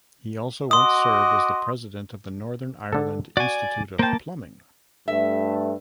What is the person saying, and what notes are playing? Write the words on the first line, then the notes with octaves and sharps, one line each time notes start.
He also once served as the President of the Northern Ireland Institute of Plumbing.
F#4 D#5 C6 D6 D#6
D3 A4
F#4 D5 G#5
A#3 C5 G5 A5
G2 A3 E5